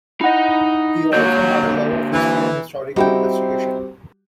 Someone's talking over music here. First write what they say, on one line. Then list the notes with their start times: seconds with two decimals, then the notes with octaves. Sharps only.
He also had a love of history and historical investigation.
0.21 D#4 E4 D#5 F#5
1.13 D3 F#3 A#3 G6
2.13 E3
2.96 G3 C4 D#4 E4 F#4 G4 G5